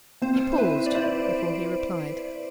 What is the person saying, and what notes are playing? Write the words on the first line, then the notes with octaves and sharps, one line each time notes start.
He paused before he replied.
C4 C5
C5
E4 B4
D5
E4 C5